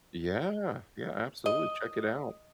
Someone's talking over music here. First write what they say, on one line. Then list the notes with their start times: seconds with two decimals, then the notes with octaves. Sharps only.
Yeah, yeah, absolutely, check it out.
1.46 D#5